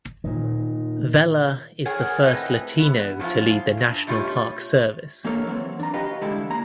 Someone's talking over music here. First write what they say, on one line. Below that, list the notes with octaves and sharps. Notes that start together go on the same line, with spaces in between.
Vela is the first Latino to lead the National Park Service.
A#2 D#3
G#4 A#4 C#5 D5 F#5 G#5
A2 C4 B4 D#5
E3 B3
F3 F#3 C#4 E4 F4
G2
B2 A3 F4 G4 C#5
E3 A#3 D4 A4 A#4 C#5
E3 F#3 C4
D4 A#5
F#4 G4 B4 D#5 F5
D3 E3 G3 G#3 E4 A4
A#3 A#5